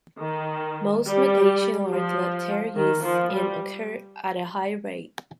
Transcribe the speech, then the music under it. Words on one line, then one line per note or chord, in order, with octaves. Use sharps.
Most mutations are deleterious, and occur at a high rate.
D#3
G3
F3
D#3
F3
G3